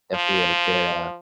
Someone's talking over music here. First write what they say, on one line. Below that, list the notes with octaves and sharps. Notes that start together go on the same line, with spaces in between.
definitely had a good, uh
F3